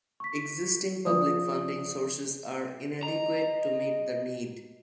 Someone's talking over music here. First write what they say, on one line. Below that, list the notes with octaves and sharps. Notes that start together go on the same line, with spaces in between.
Existing public funding sources are inadequate to meet the need.
C#6 B6
F3 D5 D#6
D#5 A#5